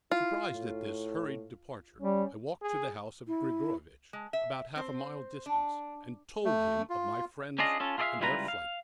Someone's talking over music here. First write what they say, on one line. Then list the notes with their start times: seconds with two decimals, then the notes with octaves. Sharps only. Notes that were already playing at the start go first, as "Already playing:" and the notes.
Surprised at this hurried departure, I walked to the house of Grigorovitch, about half a mile distant, and told him of my friends and their flight.
0.11 E4 F4
0.53 A2
2.00 G3 C#4
2.62 G#4
3.27 E4
4.13 G#3
4.33 E5
4.76 C4 C5
5.46 D4
6.45 A3
6.90 F4
7.59 C#4 D4 F4 G#4 D#5
7.80 C#4 F4 A4
7.98 F4 G#4 A4 D5 E5 F5
8.20 C#2 G3 E4 F4 B4 A#5
8.48 F5